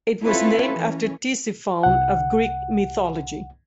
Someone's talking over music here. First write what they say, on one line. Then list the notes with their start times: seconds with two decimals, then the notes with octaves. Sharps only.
It was named after Tisiphone of Greek mythology.
0.23 C4 C#4 E4 F4 A4 B4
0.72 E3 C#4
1.83 C2 F#5